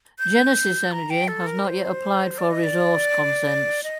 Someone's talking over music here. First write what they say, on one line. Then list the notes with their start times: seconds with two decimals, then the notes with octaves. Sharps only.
Genesis Energy has not yet applied for resource consents.
0.19 G6
0.92 A#5
1.10 G5
1.28 A4
1.47 A#4
1.65 C5
2.38 D5
2.51 D#5
2.63 D5
3.83 D#5